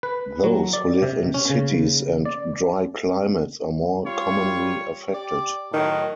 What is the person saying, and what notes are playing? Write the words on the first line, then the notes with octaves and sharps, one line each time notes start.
Those who live in cities and dry climates are more commonly affected.
B4
F#3
D5
C3
C#4
C#3
D5
G3 F4 C#5
G4 D5
A2 D#3 F#3